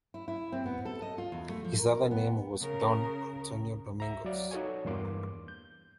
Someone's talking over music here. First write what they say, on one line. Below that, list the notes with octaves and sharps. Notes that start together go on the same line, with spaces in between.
His other name was Don Antonio Domingos.
E4
E4
C4
B3
A4
D#5
F4
E2
A3
F3
A#4
B3
C#3 A#4
E5 A#5
F#3 D5 F5
D#4 F#4 A4 C#5 G#5
E2 G2 A#3 C6 D6
G6